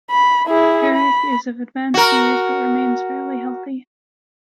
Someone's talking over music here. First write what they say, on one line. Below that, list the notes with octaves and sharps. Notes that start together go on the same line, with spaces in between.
Peric is of advanced years but remains fairly healthy.
B5
E4 G#4
B5
F#4 A#4